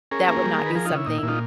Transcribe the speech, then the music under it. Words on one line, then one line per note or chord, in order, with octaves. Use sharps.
that would not be something
C#4 G#4 A#4
A#3
G3
D#3
B4
F3 G#4 A#4
D#4 F4
C#3
E4
A#2 D#4
E4
A#2
D#4 F4